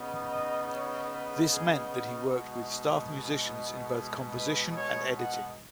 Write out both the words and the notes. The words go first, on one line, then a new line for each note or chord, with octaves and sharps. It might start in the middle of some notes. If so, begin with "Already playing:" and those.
This meant that he worked with staff musicians in both composition and editing.
Already playing: C#3 B3 D#4
D#5
C#5
B4
G#4
F#4
B2 G#3 D#4
G#4
F#4
G#4
B4
C#5
F#5